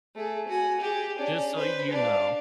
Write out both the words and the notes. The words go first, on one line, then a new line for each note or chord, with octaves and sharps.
Just so you know."
A3 G#4
F#4 G#5
G4 G#4
C#4 D4
B4 C5
D4 F5